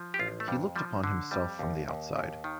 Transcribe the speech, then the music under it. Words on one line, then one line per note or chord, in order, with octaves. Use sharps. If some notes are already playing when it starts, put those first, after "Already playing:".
He looked upon himself from the outside.
Already playing: F3
G4
A1 F4
A3
F2 G3
F3 G3
D3
F2 G3
D#2
D#2
D#2
D#3